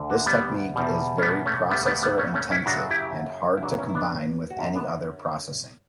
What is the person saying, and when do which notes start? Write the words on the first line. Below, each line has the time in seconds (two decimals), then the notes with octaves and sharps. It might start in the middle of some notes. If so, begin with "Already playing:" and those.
This technique is very processor-intensive and hard to combine with any other processing.
Already playing: D2 D3
0.10 D4 F#4
0.26 G3 B3
0.74 E2 B2 G3
1.18 C#4
1.22 G3 B3
1.46 A3 C#4
1.70 D2 C#3 G3 B3
1.86 G3 B3
2.02 G3 B3
2.18 A3 C#4
2.34 A3 C#4
2.51 C#4 E4
2.66 F#2 C#3 F#3 D4 F#4
2.90 E4 G4
3.58 E4
3.63 C#2 C#3 F#3 D4 F#4
3.78 C#4 E4
3.89 E4
3.95 B3 D4
4.50 F#4
4.59 F#2 D3 F#3 C#4 E4
4.75 B3 D4